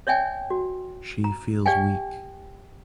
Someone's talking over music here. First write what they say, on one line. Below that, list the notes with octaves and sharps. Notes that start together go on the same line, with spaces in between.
She feels weak.
C#5 D5 E5 G5 G#5
F#4
A#5
G4 D5 F5 G5 G#5